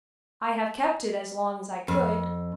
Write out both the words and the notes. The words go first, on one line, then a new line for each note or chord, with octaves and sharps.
I have kept it as long as I could.
F2